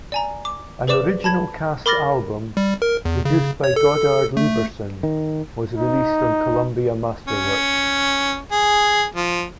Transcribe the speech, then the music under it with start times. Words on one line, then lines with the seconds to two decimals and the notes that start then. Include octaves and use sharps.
An original cast album, produced by Goddard Lieberson, was released on Columbia Masterworks.
0.12 D5 G#5 A#5
0.45 D6
0.87 G#4 B4 C5 D5 D6 E7
1.24 A5 B5 G#6
1.86 A#4 B5 D6 F6 A6 A#6
2.57 G3
2.82 A#4
3.05 E2
3.25 C#3
3.64 C#5
3.76 A4
4.37 A3
5.03 D#3
5.78 D#4
7.28 C#4
8.52 G#4
9.15 F3